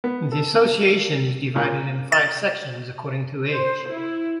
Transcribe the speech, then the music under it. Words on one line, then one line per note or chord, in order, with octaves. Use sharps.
The association is divided in five sections according to age.
B3
A4
A#2
A6
C5
E4